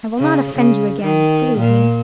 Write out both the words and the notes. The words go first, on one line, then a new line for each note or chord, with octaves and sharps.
I will not offend you again, believe me.
C#3
C#3
D#3
A#2